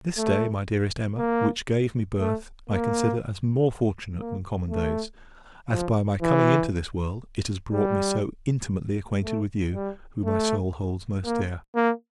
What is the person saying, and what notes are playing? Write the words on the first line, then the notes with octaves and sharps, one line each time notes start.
This day, my dearest Emma, which gave me birth, I consider as more fortunate than common days; as, by my coming into this world, it has brought me so intimately acquainted with you, who my soul holds most dear.
A3
A#3
A3
A#3
A#3
A3
F3
E3
G3
A3
G3
A3
A#3
A#3